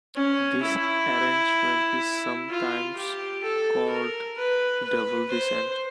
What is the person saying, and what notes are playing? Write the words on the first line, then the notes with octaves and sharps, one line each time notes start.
This arrangement is sometimes called double descent.
C#4
E4
F4
G4
A4
A#4
B4
B4
C5